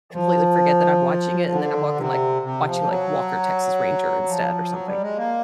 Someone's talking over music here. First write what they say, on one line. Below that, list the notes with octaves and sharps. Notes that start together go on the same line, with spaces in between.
completely forget that I'm watching it and then I'm walking like watching like Walker, Texas Ranger instead or something,
F3
D3
C3
C3
F3
F#3
F3
F#3
G3
G#3
A#3